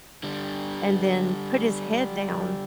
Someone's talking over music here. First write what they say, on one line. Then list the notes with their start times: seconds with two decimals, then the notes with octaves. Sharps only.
and then put his head down
0.23 D3 G3